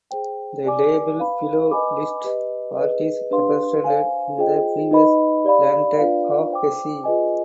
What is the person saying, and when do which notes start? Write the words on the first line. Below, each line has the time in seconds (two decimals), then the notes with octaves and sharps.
The table below lists parties represented in the previous Landtag of Hesse.
0.11 G#4 C5 G5
0.64 G4 D5 G#5 D6
1.18 B4 F5 B5
1.71 B4 D#5 G#5 B5 D6
2.24 G4 B4 D#5
2.78 G#4 B4 D#5
3.31 D4 G4 B4 F5 C6
3.84 C5 F5 G#5
4.38 F4 G#4 C5 D#5 G5
4.91 D#4 B4 D#5 B5
5.45 G4 D5 F5 B5
5.98 D4 F4 B4 D5 F5
6.51 C5 G5 D6
7.04 F4 G#4 B4 D#5 G#5